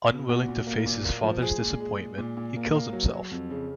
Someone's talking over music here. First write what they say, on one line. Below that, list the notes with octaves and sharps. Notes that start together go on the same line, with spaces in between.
Unwilling to face his father's disappointment, he kills himself.
B2
A#2 F#4
A#2
A#3
A#2
A#3
F3
G#3 G#4
A#2
G#3
G#3
A#2
A#2
A#3
A#3
F#3
F#3
F2
C#3